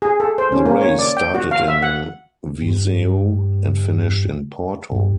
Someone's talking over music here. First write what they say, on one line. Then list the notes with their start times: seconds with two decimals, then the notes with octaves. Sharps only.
The race started in Viseu and finished in Porto.
0.02 G#4
0.20 A4
0.38 C5
0.52 C#4
0.66 A#3
0.81 C#5
0.99 D5
1.17 G5
1.35 F#4
1.51 F5
1.68 E5
1.82 F#5
2.62 G2
4.92 G2